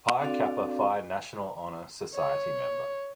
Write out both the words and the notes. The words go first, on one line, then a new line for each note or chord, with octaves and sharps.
Phi Kappa Phi National Honor Society member.
C4 D4 F#4 A4 D5 F5
C#5